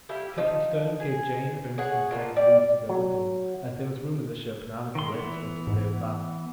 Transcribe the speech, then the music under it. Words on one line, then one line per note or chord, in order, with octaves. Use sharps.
Captain Stone gave Jane, Ernest, and Frank leave to go with him, as there was room in the ship now that the Wests were to stay with us.
G3 E4 G4 F5
F3 D#4
G#4
G#4 C#5 F#5
A#3 D4 F4
G3 D5
F#3
D#3 C6
E3 B3
G#2